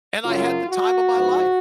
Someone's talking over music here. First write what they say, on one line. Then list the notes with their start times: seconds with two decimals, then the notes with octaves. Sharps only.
and I had the time of my life.
0.25 F#2 C#3 F#3 F4
0.68 F#4
1.12 G#2 F3